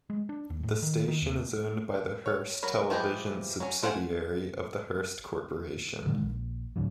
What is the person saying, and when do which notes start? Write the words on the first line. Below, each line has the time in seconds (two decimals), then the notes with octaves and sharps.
The station is owned by the Hearst Television subsidiary of the Hearst Corporation.
0.10 G#3
0.29 D4
0.50 D#2
0.63 A2
0.82 D#3
1.08 D#3
1.22 D#2
2.26 C#5
2.63 F#3 A#4 B5
2.90 E3 F3 G4 G#4 D#5
3.60 F#3 C#4
3.83 A3 C5 F5 F#5 G#5
6.07 A#2 D3 D#3 G#3
6.22 A#1
6.76 D2 A2 D3 F#3